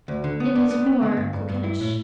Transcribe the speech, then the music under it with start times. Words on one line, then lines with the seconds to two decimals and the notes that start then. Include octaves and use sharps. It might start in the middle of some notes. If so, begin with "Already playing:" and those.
It is more coquettish.
0.08 D2
0.24 D3
0.40 B3
0.55 D4
0.71 B3
0.86 B3
1.02 D3
1.17 G2
1.33 G2
1.49 G2
1.64 E4
1.81 A2